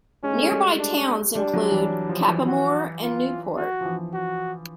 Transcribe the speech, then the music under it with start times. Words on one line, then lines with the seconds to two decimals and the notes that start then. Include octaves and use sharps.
Nearby towns include Cappamore and Newport.
0.23 G#3 C#4
0.35 A3
0.43 G#3
0.52 G3
0.79 D4
1.35 G3 D4
1.54 F#3
1.72 E3
2.09 F3
2.28 E3
2.46 F#4
3.02 F4
3.57 F#4
3.81 F3
3.85 E3
4.14 F#4